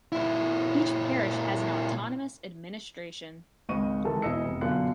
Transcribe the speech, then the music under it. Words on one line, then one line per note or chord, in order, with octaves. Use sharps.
Each parish has an autonomous administration.
A#2 E4
G#1 C#2 D#5 C#6 D#7
D#3 E3 G#3 A4
E1 E4 D#5 E6 C#7
F1
F#2 B2 D3 F4 F#6 C#7